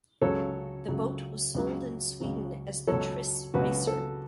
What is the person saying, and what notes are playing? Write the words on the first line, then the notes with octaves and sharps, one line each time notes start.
The boat was sold in Sweden as the Triss Racer.
C#2 C#3 F#3 A4 C#5
C#2 C#3 F#3
C#2 C#3 F#3
C#2 C#3 F#3
C#2 B2 F#3 A4 C#5
C#2 B2 F#3 F#4 B4
A4